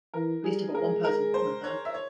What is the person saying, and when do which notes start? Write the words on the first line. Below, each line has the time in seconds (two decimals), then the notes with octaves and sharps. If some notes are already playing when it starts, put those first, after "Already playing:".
At least I've got one person who will be my fan.
0.14 E3 A#4
0.44 G3 G#4
0.74 G#3 A#4
1.04 A#4
1.34 C5
1.64 C#5
1.85 E5
1.94 C#5